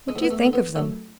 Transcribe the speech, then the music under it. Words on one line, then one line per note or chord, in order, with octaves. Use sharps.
What do you think of them?
G#3
D2
B3
A3
D3
B3
F#2 A3